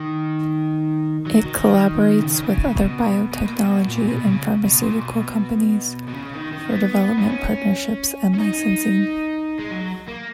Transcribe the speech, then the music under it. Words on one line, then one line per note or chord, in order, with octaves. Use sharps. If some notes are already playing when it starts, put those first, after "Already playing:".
It collaborates with other biotechnology and pharmaceutical companies, for development partnerships and licensing.
Already playing: D#3
F#3
D#3
C#3
D#3
C#3
B2
B2
A#2
B2
A#2
B2
C#3
B2
A#2
B2
B2
C#3
D#3
D#3
B3
D#4
C#4
C#4
D#4
G#3
F#3
A#3